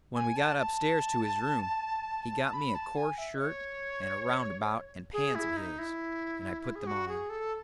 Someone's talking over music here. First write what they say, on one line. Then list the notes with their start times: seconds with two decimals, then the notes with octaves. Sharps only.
When we got up-stairs to his room he got me a coarse shirt and a roundabout and pants of his, and I put them on.
0.15 G#5
0.36 A5
0.58 A5
2.53 B5
2.75 A5
2.97 G#5
3.18 E5
3.40 C#5
5.13 G#4
5.35 E4
5.57 D#4
5.79 E4
6.75 G#4
6.87 F#4
7.08 G#4
7.30 A4